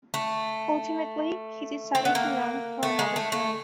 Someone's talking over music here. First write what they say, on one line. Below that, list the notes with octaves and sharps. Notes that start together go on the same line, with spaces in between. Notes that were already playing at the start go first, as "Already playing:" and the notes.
Ultimately he decided to run for another term.
A3
C4
B3
A#3
A3
G#3
A3
A3